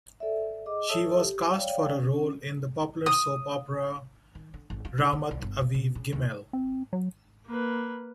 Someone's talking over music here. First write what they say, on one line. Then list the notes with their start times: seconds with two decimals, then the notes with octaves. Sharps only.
She was cast for a role in the popular soap opera "Ramat Aviv Gimmel".
0.20 A4 D5 E5
0.66 G#4 D#5 D6
0.89 A4 C#5 E5 A5 D#6 E6
1.20 G4
1.50 C#5 D5 F5 G5
1.93 C#4
3.06 D#6
4.35 D#3
4.54 D3
4.70 G#1
4.85 F4
4.98 D#4
5.13 C#3
5.31 C2
5.42 G1
5.61 C4
5.74 B2
5.95 C#3
6.12 D#2
6.53 C4
6.93 F#3
7.47 A#3 B4